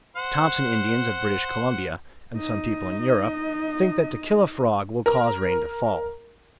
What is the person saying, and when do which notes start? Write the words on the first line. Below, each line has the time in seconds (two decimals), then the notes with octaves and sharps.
The Thompson Indians of British Columbia and some people in Europe think that to kill a frog will cause rain to fall.
0.16 C5 F#5
2.36 D#4 D#5
5.06 A#4